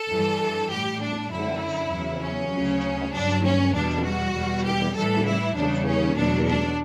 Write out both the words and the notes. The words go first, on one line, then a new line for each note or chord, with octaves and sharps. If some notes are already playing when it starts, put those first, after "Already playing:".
The force then moved upstream and took Tabasco the following day.
Already playing: A4
G2 E3 G3
A2 G3 G4
D4
F#2 D3 F#3 E4
E2 C#3 F#3
C#4
D2 C#3 F#3
G2 F#3 D4
C#4
E2 B2 G3 D4
F#4
E2 B2 G3
G4
A2 E3 G3 A4
E4
E2 C#3 G3 D4
C#4
E2 B2 F#3 D4
D4